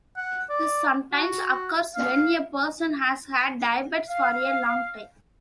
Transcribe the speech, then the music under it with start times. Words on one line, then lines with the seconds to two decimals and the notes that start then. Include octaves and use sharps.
This sometimes occurs when a person has had diabetes for a long time.
0.17 F#5
0.49 D5
1.12 F#4
1.95 F5
4.08 F5